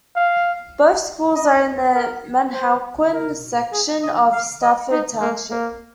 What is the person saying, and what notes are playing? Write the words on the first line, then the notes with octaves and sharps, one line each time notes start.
Both schools are in the Manahawkin section of Stafford Township.
F5
D#5
A#4
C5
A#4
G#4
D#5
F5
D#5
D#4
A#3
A#3